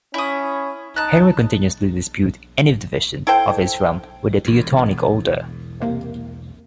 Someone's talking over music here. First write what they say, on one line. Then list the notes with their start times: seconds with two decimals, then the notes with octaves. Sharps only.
Henry continuously disputed any division of his realm with the Teutonic Order.
0.14 C#4 E4 D#6
0.96 D#4 A5 F#6
3.27 E4 A4 C5 G5
4.45 E1 E2
5.81 C2 C3 A#3